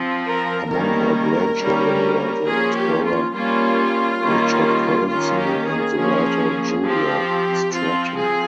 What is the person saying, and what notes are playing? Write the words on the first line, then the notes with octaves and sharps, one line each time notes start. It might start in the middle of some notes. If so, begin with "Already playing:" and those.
Among her grandchildren were the explorer Richard Collinson and the writer Julia Stretton.
Already playing: F3 C4
A#4
D#3 G3 A#3 C#4 A#4
G3 A#3 C#4
F3 A#3 C#4 G#4
G4
F4
G3 A#3 C#4 F4
D#3 G3 A#3 C#4
D#3 A#3 C#4 F4
G4
G#4
F3 A#3 C#4
F3 C4 G4
F3 C4 F4
G#4